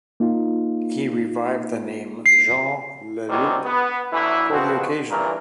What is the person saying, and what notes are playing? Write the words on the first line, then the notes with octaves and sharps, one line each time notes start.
He revived the name Jean Leloup for the occasion.
A#3 D#4 F4
C7
E2 G#2 C3 D#3 F#3 G3
B3
A1 D2 E3 E4
B2 F3 C4 F#4
A1 G2 A#2 E3 A#4